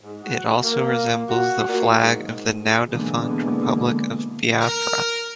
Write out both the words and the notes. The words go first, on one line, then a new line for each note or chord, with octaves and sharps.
It also resembles the flag of the now-defunct Republic of Biafra.
G#2
F#4
A#3
F#4
A#2
G#2
B2 D3 E3 G#3 A#3 B3
A#4